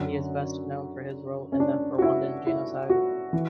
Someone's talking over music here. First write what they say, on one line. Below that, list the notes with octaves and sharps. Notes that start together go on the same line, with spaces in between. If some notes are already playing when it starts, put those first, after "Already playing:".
He is best known for his role in the Rwandan Genocide.
Already playing: F#2 D3 F#3 F#4
C#4
D4
F#4
E4
E4
F#4
E3